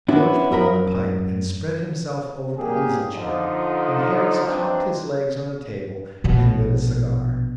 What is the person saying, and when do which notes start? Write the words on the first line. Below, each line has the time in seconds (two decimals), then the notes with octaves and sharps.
George put on a pipe and spread himself over the easy-chair, and Harris cocked his legs on the table and lit a cigar.
0.08 B3 C#4 D4 E4 F#4
0.52 F#2 A#4 B5
2.57 G2 A#2 F#3 A#3 G4 G#4
3.14 D3 F3 D#4
4.42 G2 F3 C4 D4 D#4 C5
6.24 A#1 B2